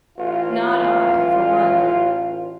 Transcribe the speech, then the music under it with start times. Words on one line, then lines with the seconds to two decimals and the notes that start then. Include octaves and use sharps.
Not I, for one....
0.18 A1 F4